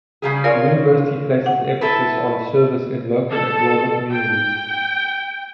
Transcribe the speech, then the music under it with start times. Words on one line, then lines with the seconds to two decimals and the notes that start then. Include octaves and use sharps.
The university places emphasis on service in local and global communities.
0.22 C#3 G3 G#4
0.44 F4 A#4 C#5 D5 F5
1.46 F#5
1.81 E4 A4 B4
3.30 A4
4.11 G5